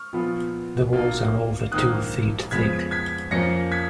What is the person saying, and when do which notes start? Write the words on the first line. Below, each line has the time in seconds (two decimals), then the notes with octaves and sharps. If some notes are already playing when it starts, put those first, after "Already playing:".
The walls are over two feet thick.
Already playing: C#6 F6
0.13 A#2 F3 B3 F4
0.92 B1 B2 A#3 F4
1.72 A#1 G#2 D#3 A#3 D#6 F#6
2.51 F2 C#3 G#3 B3 F4 G#6 B6
2.91 G#6 B6
3.31 F2 F3 A#3 C#4 F4 A#6 C#7
3.72 G#6 B6